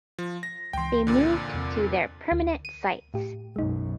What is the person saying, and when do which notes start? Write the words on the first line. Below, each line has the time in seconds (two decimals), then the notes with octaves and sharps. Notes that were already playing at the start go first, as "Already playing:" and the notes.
They moved to their permanent sites.
0.18 F3
0.43 A#6
0.73 C#2 E3 G5 C6
1.07 F2 A#2 D3
1.54 E2 C3 C4
2.32 D2
2.65 D#7
3.14 A2 G4
3.56 B1 F#2 G#3 D#4